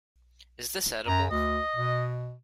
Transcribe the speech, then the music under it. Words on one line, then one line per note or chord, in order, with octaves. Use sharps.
Is this edible?
F#2 A#5
D2 D#5
B2